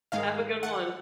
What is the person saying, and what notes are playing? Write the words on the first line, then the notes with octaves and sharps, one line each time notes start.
Have a good one.
G#2 D#3 G#3 F5
F#5